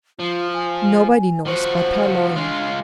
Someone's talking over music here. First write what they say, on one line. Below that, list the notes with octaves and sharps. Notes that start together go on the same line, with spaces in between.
"Nobody knows but her lawyer."
F3 F4
G#5
F3 F#4 C5
G#3 D4 F4